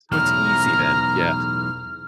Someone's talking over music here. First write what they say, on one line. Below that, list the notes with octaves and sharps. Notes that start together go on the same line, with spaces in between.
so it's easy then. Yeah.
B1 E2 A2 A#5 F6